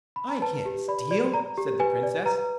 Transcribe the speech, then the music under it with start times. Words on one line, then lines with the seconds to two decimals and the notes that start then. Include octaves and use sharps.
'I can't steal', said the Princess.
0.16 B5
0.29 A#5
0.42 B4 A5
0.66 G4
0.88 D5 B5
1.11 D5
1.34 D5 A#5
1.58 G4
1.79 B4 G#5
2.03 D5
2.26 B4 A#5